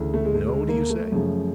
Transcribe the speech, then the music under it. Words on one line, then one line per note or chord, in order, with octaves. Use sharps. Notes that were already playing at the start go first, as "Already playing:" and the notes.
No, do you say?
Already playing: D2 C#3 E3
A3
G#3
A3
G#3
A#3
A3
F#2 C#3 F3